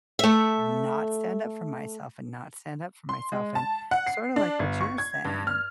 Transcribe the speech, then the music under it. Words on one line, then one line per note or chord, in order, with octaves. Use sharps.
not stand up for myself and not stand up for myself, and, sorta like what you're saying
A3 E5
C6
G#3
A5
F#5
C7
D4
G1
C#6
G#6
G2
F6